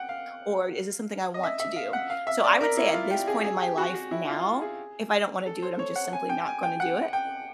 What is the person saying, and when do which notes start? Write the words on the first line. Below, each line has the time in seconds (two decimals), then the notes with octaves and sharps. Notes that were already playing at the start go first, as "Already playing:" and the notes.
Or "Is this something I want to do?" So, I would say at this point in my life now, if I don't wanna do it, I'm just simply not gonna do it,
Already playing: F#5 G5
0.09 F5
1.34 D#5
1.43 E5
1.60 E5
1.76 F5
1.93 F#5
2.10 F5
2.27 E5
2.44 D5
2.61 A#4
2.77 E4
2.94 F4
3.11 G4
3.28 G#4
3.44 G#4
3.61 G4
3.78 F#4
3.95 F#4
4.11 E4
4.28 F4
4.61 G#4
5.46 A4
5.62 C5
5.79 C#5
5.96 F#5
6.13 G#5
6.29 G5
6.46 G#5
6.63 G5
6.80 F#5
7.13 G5